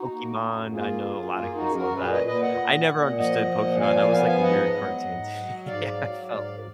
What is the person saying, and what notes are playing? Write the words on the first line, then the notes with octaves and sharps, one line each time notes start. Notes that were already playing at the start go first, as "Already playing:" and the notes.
Pokemon, I know a lotta kids love that. I never understood Pokemon, that was, like, a weird cartoon to me, I felt like
Already playing: D#4 F#4
A#3
F#2
A#3 F4 G#4
F#2
A#3 F4 G#4
D#4 F#4
F#2
G#4
F#4 A#4
A#2 G#4 B4
B4 D#5
A#2 B4 D#5
D#5 F#5
A#2
A#2
F3 D#5 F#5
A#2
F3 F5 G#5
F5 G#5
B3 F5 G#5
F5 G#5
G#2 D#5 F#5
F#3
G#2
F#3
G#2 D5 F5
F#3
G#2 D5 F5